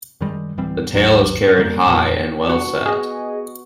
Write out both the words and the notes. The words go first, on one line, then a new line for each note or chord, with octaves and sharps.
The tail is carried high and well set.
F#2 D#3 G3 G#3
D1 E3 G3 C4
G#1 D#2 F#3
C#3 G3 G#3 A#3
F2 A#2 F3
C2 A#2 D4 F#4
B3 G#4 D#5